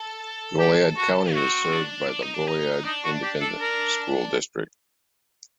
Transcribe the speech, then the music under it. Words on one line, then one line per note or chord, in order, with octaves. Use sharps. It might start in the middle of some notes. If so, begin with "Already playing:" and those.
Goliad County is served by the Goliad Independent School District.
Already playing: A4
G4
F#4
C4 F#4
C4
D4
D4
D#4
D4
D#4
D4 D#4
F#4
G4
A4
A#4